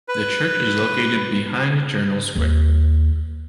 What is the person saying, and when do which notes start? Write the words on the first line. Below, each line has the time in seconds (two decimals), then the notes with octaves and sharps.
The church is located behind Journal Square.
0.09 B4
2.36 D#2